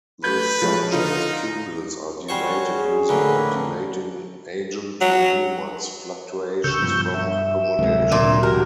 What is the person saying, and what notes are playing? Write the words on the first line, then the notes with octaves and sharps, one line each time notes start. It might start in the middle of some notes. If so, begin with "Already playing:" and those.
The subject's pupils are dilated using a dilating agent to minimize fluctuations from accommodation.
A3 B4 G6
F3 G#3 C#4
D3 D#4 F4
G3 C#4 F#4 C5 C#5 C#6
G#4
A2 D3 A#3 C#4 B4
F#3
C2 C#3 C#6 E6 G6
G2 B2 F3
G2 E5
F1 D2 C3 F#3 G#3
A#2 D3 D4
A1 F#4 G4 A#4